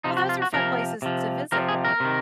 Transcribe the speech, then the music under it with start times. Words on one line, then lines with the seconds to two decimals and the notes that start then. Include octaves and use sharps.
Well, those are fun places to visit, though.
0.04 C3 F3 D#4
0.17 F#4
0.29 F4
0.42 F#4
0.53 C3 F3 A#4
1.02 C3 F3
1.52 C3 F3 A#4
1.68 G#4
1.85 A#4
2.00 C3 D#3